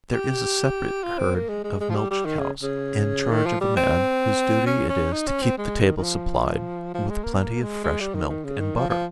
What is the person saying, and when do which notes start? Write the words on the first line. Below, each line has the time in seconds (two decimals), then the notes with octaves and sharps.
There is a separate herd of milch cows in charge of a man whose duty it is to keep the table supplied with plenty of fresh milk and butter.
0.13 G4
1.04 F4
1.18 C4
1.35 A#3
1.49 G#3
1.64 G#3
1.80 G#3
1.90 F3
1.95 G3
2.10 G3
2.25 D#3
2.40 C#3
2.62 C#3
3.31 D#3
3.46 F3
3.61 G3
3.77 C4
4.66 C#4
4.89 C#4
5.13 D#4
5.27 C#4
5.42 C4
5.58 G#3
5.80 D#3
5.97 D#3
6.04 F3
6.94 F3
7.09 G#3
7.24 A#3
7.34 C4
7.39 A#3
7.62 G#3
7.84 G#3
8.00 G3
8.15 D#3
8.29 D#3
8.45 C#3
8.60 D#3
8.76 F3
8.90 F3